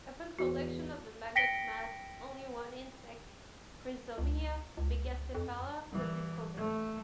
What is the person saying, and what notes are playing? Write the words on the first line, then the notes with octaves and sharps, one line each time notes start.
Upon collection of the maggot mass, only one insect, "Chrysomya megacephala", was discovered.
E2 F#4
G5 A#6 B6 C#7 D7 G7
C#2
C#2
F2
E3 G3
A3